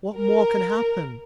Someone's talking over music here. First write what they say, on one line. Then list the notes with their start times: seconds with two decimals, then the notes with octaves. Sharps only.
What more can happen?
0.17 A#4